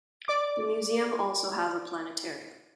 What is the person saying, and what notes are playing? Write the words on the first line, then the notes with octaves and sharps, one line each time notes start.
The museum also has a planetarium.
D5 D6